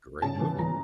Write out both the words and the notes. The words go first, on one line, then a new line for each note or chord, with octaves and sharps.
Great movie.
C#3 A5
E3
E3 A#5